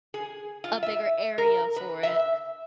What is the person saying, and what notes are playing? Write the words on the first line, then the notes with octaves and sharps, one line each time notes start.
a bigger area for it,
G#4
F4
E5
A#4
B4
E5